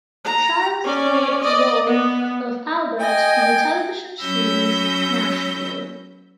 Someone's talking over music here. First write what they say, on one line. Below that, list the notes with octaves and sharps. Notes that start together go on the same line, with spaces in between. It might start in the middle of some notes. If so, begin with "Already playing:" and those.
Childs played the role of Albert in the television series "Nashville".
A#5
C#4 D5
D5 D#5
B3
D#5 G5 G#5
F#3 C#4 B5 E6 G6 A#6